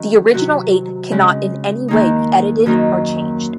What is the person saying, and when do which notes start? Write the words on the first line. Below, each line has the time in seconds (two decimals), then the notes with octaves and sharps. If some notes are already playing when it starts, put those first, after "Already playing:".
The original eight cannot in any way be edited or changed.
Already playing: D#3 F#3 C#4 F#4
0.34 C3 F#3 C4 F#4
1.12 C#3 G#3 C4
1.88 D#2 D#3 A#3 D#4
2.66 F#2 D#3 F#3 A#3 D#4